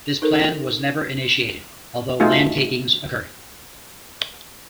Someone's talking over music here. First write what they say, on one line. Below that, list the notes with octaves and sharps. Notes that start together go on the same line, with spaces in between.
This plan was never initiated, although land takings occurred.
D#4 A4 A#4 C5
A3 D#4 F4 F#4 G#4